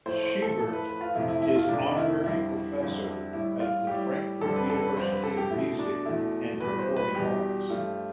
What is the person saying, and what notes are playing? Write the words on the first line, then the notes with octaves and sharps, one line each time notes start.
Schubert is honorary professor at the Frankfurt University of Music and Performing Arts.
A2 F3 A3 C5
C5
A4
A2 F3 A3 A4
B4
B4
F4
F2 C3 F3 A3 E4
E4
E4
F4
F2 C3 F3 A3 D4
E4
F2 D3 G3 E4
F2 D3 G3
A2 G3 E4
F4
A2 G3 G4
F2 D3 G3 A4
B4
A4
B4
F2 D3 G3 C5
B4
A4
G4
E2 B2 A3 E4
D4
E2 B2 A3 E4
E2 B2 G3 B4
C5
B4
E2 B2 G3 G4
G2 F3 A3